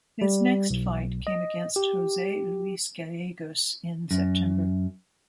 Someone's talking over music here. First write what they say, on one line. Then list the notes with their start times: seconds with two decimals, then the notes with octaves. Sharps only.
His next fight came against Jose Luis Gallegos in September.
0.22 G3
0.70 B1
1.27 D#5
1.76 G4
4.11 F#2